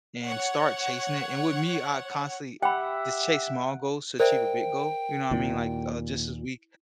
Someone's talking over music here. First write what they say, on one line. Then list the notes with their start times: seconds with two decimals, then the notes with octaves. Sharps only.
and start chasing it and with me, I constantly just chase small goals to achieve a big goal. You know what I mean? Like, uh, just this week,
0.23 C#5 F#5
2.62 G4 E5 F#5 G5 B5
4.20 A#4 C5 D5 E5 G5
5.31 D#2 A#2 E4